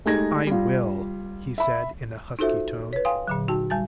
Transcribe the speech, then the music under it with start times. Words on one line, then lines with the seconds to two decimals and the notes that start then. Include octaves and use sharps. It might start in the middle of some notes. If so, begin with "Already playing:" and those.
"I will," he said, in a husky tone.
0.05 G#3 A3 D#4 G4 G#6 A#6
0.47 G3 F4
1.58 E5 B5
2.39 D#4 F4 F#4 A4 C5 E5
2.93 B4 C#5
3.05 F5 G5 G#5 C6 D#6
3.28 A#2 D3 F#3
3.48 D#4 F#4 G5 A5
3.70 G3 G#5 A5 A6